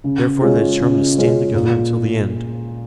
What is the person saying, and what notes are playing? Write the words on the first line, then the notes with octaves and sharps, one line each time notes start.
Therefore, they determined to stand together until the end.
C#3
G#3 C#4 F4 G#4
C#3
G#3 C#4 F4 G#4
A#2